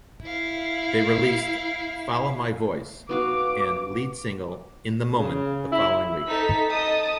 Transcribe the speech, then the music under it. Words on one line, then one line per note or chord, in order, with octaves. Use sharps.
They released "Follow My Voice" and lead single "In the Moment" the following week.
E4 F5
B3 F#4 F5 D6
C#3
E4
D#4 A4 B6
D#5 A5 D#6